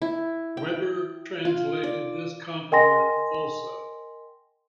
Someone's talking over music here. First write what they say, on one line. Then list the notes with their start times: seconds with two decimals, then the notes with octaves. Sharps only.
Weber translated this compliment also.
0.02 E4
0.57 G5
1.45 F4
1.83 D5
2.72 A#4 D#5 G5 G#5 C6 A#6